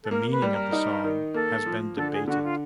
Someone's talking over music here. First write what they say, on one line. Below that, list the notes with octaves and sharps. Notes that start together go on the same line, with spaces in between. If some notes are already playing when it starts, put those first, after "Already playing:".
The meaning of the song has been debated.
A4
A#3 A#4
B4
G3
A#4
D#4
D#3
A#3 A4
F3
D3 A4
G#4
D3 F#4
F4